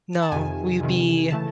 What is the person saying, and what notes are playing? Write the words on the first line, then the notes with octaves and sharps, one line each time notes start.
No. We'd be,
A5
F2 C3 D#3 G#5
F2 C3 D#3
C#3 E3 A3 A5